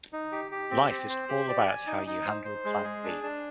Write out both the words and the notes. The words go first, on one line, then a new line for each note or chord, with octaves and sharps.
Life is all about how you handle plan B.
D#4
G4
G4
C4
C4
C5
G4
D5
G#5
D#4
D#4
C5
C5
G#3
G#4
D4
D4